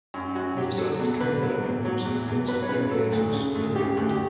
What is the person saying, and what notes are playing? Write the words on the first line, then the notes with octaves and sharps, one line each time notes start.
He decided to convert when he was convinced of Judaism's superiority.
F#2
F#2 F#4
F#3 G4
F#3 A4
E2
D3 B4
F#3
E2
F#3
E2
E2
F#3 B4
C#5
C#3 B4
F#3 A4
D2
C#3
D2
C#3 G4
D2
G4